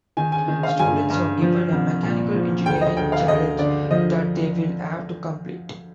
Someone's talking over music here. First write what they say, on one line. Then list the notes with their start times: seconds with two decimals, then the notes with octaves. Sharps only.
Students are given a mechanical engineering challenge that they will have to complete.
0.17 D#3 G#5
0.32 G#5
0.48 D#3
0.63 F5
0.79 G2 G#5
1.10 G2
1.42 F3
1.72 C2
2.03 A#2
2.34 F3
2.66 D2 G5
2.81 D#5
2.97 D2 G5
3.12 F5
3.28 D2 D#5
3.59 D3 D5
3.91 F3 D#5